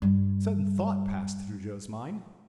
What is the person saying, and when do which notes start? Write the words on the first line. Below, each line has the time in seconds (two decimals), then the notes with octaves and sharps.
A sudden thought passed through Joe's mind.
0.02 G2 G3